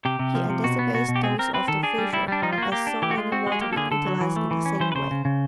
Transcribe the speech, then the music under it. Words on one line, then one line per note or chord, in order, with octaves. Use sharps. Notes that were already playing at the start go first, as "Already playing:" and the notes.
He anticipates those of the future as so many more to be utilized in the same way.
C3 G4
C3
F3
C3
B2 F#4
B3
B2 F#4
B2
G4
C4 G#4
C4 A#4
C4 B4
D#3 A4
D4 G#4
G3
G3 E4
G3 D4
F3 D#4
F4
A#3 F#4
A#3 G4
D4
E3 G4
F#4
G#3 F4
C4 F#4
G#3
G#4
A#3 G4
A4
D3 G#4
D3 A4
F#3
E3
A3
E3
C#4
E3 C5
B4
C#3 C5
C#3
C#3